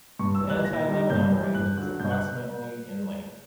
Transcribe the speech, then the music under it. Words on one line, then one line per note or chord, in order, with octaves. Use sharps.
The Anti-Lebanon range is approximately in length.
G2 C#6
E6
E3
G3 F#6
A#2 A#6
G3
G2 G6
E3 G3
G2 F#6
D3 F#3 F#6
G2 G6
F#6